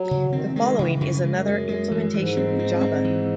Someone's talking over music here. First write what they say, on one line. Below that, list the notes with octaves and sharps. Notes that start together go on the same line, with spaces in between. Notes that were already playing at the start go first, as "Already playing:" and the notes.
The following is another implementation in Java.
Already playing: F#3
C#3
D#3 C4
E3
D#3
G#3
C#3 E3
F#2
E2 C#3
F#2
F#2 G#3
G#3
G#3
E3
G#2 E3
C4
C4
C4
E3